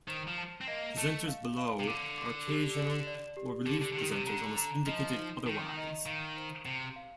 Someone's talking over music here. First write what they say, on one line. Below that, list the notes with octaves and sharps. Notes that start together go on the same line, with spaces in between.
Presenters below are occasional or relief presenters unless indicated otherwise.
D#3 C5
F3
A5
C4
A#3 D#5
A3 A5
F5
F5
C3
D3 D6
D6
G4
D5
D5
G4
D3 G4
D3
D3
D#3 G4
C3
D3 A#5
A#5
F3 D#5
D#4
D#3 A5
D#5
D#3 F5
C5
C3 F5
F5